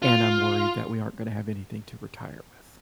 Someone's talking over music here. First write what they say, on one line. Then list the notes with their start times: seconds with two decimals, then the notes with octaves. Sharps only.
a and I'm worried that we aren't gonna have anything to retire with.
0.02 F4